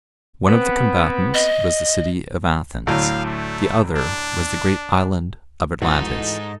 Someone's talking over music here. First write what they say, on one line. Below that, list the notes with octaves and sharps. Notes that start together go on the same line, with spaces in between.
One of the combatants was the city of Athens, the other was the great island of Atlantis.
B3 C4
D#5
D2 A2 F#3 F5
A3
D4
G#2 E3 A3 D#4 F#4 A4 D#5